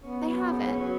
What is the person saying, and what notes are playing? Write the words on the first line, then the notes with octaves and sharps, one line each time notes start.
They haven't.
B3 C#4
F#3
F#2
C#3
C#4
F#3